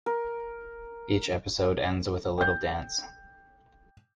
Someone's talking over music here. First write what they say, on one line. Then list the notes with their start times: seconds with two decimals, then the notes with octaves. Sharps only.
Each episode ends with a little dance.
0.06 A#4
2.38 G5 G6